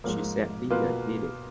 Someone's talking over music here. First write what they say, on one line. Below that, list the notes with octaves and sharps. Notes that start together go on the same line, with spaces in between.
She said Linda did it!
G#2 F3 A#3
B2 A#3 F4 B4